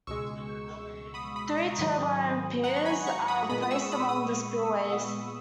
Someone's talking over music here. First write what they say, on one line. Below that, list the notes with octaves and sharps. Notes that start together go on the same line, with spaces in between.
Three turbine piers are placed among the spillways.
C#2 B2 G#3 C#6 E6
B5 D#6
B5 D#6
A#5 C#6
G#2 D#3 F#3 B5 D#6
F#5 A#5
C#6
G#5 B5
A#5 C#6
B5 D#6
A#2 G#3 B3 B5 D#6
D#6
C#6 E6
B5 D#6
D#6